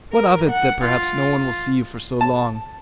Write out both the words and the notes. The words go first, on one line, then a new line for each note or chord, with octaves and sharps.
What of it that perhaps no one will see you for so long?
A#4
F#5
F4
A5